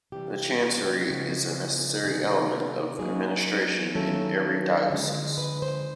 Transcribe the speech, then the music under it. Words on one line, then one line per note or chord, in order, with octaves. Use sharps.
The chancery is a necessary element of administration in every diocese.
C3 E3 G3 G4
F#4
G4
C#3 F3 G#3 F#4
C3 D#3 G3 B3 G#4
F#3 A#3 D#4 G#4
D#3 F#3 A#3 C#4 E4 A4
D3 F3 G#3
B4
C5